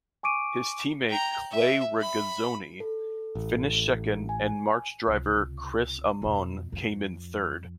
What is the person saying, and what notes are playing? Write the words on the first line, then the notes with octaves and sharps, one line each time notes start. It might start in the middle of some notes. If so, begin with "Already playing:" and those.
His teammate Clay Regazzoni finished second and March driver Chris Amon came in third.
G#5 C#6 D6 D7 D#7
G5 A#5
E5
B5
A4
A1
G#5
C#2 C3
F2 B2
F2